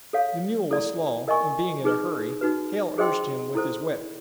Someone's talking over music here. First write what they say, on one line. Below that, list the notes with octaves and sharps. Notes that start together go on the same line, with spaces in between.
The mule was slow and, being in a hurry, Hale urged him with his whip.
A4 C#5 F5
E4 A4 D5
A#4 D#5 G#5 C#6
D#4 G#4 B4
D#4 F#4 B4
G#4 C5 D#5 G5 C6
E4 A4 C5